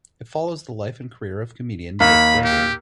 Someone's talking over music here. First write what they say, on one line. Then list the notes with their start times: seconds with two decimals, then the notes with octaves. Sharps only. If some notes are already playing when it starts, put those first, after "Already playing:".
It follows the life and career of comedian Dick Gregory.
2.00 D#2 B5
2.44 G4